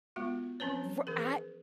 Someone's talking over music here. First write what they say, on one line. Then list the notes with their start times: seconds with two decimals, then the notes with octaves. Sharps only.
r I
0.16 G#3 B3 F4 F#4
0.60 F3 C4 C#4 B4 C#5
1.07 E3 G#4 A#4